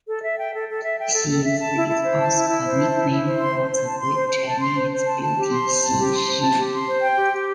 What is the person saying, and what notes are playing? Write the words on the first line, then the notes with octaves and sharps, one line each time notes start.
Xizi is also a nickname for the great Chinese beauty Xi Shi.
A4
E5
G5
A4
A4
E5
G5
A4
A4
E5
A5
E4
E4
C5
A5
E4
E4
C5
A5
E4
E4
C5
C6
C5
C5
A5
C6
C5
C5
A5
C6
C5
C5
A5
A5
G4
C6
C5
A5
G4
C6
C5
A5
G4
C6
C5
G5
G4
G4